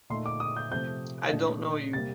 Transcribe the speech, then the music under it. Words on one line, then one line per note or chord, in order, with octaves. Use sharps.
I don't know you!
A#2 A3 D#4 C6
D6
D#6
G6
C3 F3 A3 C4 G6
A#2 A3 D4
C3 G3 A#3 A6